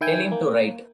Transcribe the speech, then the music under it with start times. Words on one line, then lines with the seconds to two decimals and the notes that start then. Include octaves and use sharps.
Tell him to write.
0.01 D#3 E4 G5 G#5
0.32 A#3